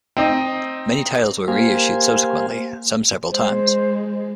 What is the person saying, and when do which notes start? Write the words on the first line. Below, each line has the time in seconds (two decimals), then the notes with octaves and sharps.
Many titles were reissued subsequently, some several times.
0.17 C4 D#4 D#5
1.48 A#3 G4 C5 F5 G#5
3.32 G#3 C5